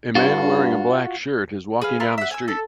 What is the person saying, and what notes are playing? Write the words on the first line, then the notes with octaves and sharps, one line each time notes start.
A man wearing a black shirt is walking down the street.
G2 F4 F#4
G#4 B4 F5
F4 A#4 B4 E5
E5 F#5
G#5 E6
A4